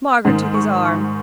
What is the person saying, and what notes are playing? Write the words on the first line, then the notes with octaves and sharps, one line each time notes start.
Margaret took his arm.
G#2 D#3
C#6
C#6